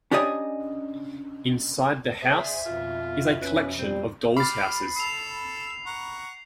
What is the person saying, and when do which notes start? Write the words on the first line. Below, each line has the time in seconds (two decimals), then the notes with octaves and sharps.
Inside the house is a collection of dolls' houses.
0.11 C#4 D4 G4 D5 D#5 G#5
2.21 G#4 C5 D5 E5
2.66 F2 B2 F4
3.42 C#4 B4
3.79 G3 C4
4.37 G3 B5 D6 F6 A6 C7
4.96 A4 E6 C7 F7
5.86 F#5 A#5 C#6